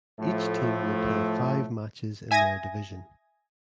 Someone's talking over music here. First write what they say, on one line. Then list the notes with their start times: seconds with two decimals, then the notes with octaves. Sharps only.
Each team will play five matches in their division.
0.20 A2 F3 A3
2.31 E5 G#5 D#6 G#6 A#6